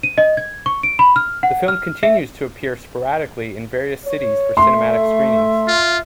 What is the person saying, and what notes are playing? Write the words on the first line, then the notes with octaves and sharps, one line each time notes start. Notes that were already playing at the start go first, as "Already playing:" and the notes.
The film continues to appear sporadically in various cities for cinematic screenings.
D#7
D#5
G#6
C#6
D7
B5
F6
F#5
F6
E5
C#5
A3 E5 C6
F4